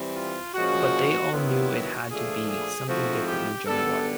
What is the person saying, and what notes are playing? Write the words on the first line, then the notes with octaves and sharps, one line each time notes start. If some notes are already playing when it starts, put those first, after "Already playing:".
But they all knew it had to be something different than Joan of Arc.
Already playing: E3 G3 C4
F4
A#2 F3 G#3 C#4 F#4
G2 D#3 F#3 B3 E4 F4
F#4
A#2 F3 A3 D4 F4 G#4
G#4
G#2 F3 A3 C4 E4 F#4
G4
F#2 D3 G3 B3 A4